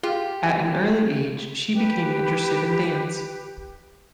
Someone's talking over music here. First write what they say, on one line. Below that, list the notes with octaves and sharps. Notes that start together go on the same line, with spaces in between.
At an early age she became interested in dance.
F4 G4 G#4
G4 B4